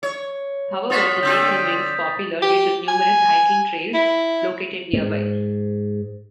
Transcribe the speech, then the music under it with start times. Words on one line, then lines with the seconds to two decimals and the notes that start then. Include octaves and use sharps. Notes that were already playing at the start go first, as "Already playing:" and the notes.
However, the lake remains popular due to the numerous hiking trails located nearby.
0.03 C#5
0.90 F4 F#4 C#5 D#6 A6 B6
1.23 D3 C4 D4 G6
2.42 G4
2.88 G#5
3.94 E4
4.93 G#2